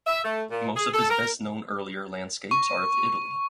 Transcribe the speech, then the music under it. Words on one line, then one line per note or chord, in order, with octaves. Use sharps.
Most of his best known earlier landscapes are of Italy.
E5
A3
A#2
G#4
A4
A#4
C#6